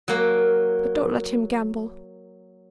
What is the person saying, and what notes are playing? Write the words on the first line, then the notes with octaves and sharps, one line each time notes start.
But don't let him gamble.
F#3 A#3